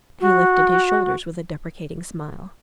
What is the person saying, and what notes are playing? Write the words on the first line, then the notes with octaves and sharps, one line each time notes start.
He lifted his shoulders with a deprecating smile.
F#4